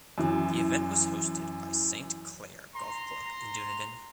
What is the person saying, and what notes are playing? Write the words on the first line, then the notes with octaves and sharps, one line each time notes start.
The event was hosted by St Clair Golf Club in Dunedin.
F#2 E3
A#5 C6